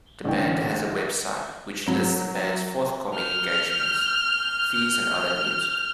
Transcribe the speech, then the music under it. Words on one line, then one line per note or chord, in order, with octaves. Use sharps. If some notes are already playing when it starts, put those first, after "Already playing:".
The Band has a website which lists the band's forthcoming engagements,fees and other news.
A1 D3 C#4 G5
F#3
F6 G6